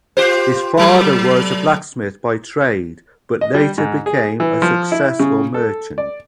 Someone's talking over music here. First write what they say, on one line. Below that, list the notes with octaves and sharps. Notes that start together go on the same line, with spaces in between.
His father was a blacksmith by trade, but later became a successful merchant.
F4 G4 C5
F#3 A3
D#5
G3
G#2
G#4
E3
F3
E4
C#3
A4
D5